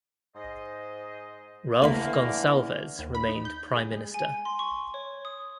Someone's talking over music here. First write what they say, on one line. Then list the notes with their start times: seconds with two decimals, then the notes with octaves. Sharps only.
Ralph Gonsalves remained Prime Minister.
0.36 G#2 C5 D#5
1.82 D2 D3 E3 A3 A#3 F5 B5
2.99 D#2
3.15 B5
3.29 D#4
3.45 G6
3.76 G#4
3.92 G#3
4.14 G#5
4.45 C6
4.59 C#6
4.94 C#5
5.25 D#6